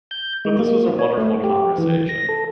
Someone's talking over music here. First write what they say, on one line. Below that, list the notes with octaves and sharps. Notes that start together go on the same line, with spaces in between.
But this was a wonderful conversation.
G6
G#3
A#3
C#5
A3
G4
E3
A#6
A4